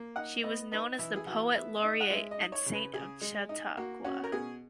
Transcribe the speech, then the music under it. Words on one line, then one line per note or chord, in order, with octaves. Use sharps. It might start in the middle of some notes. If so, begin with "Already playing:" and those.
She was known as the "Poet Laureate and Saint of Chautauqua".
Already playing: A#3
D#4 F#5
B3 D#5
D#4 B4
E3 E4
G#4
E3 F#4
B3 E5
D#4 D#5
F#5
G#3 E5
D#5
D#4
C#5
C#3
B4
C#3 G#4
G#3
D#4
A#3 F#4
C#4 F#4
A#4
B2 G#4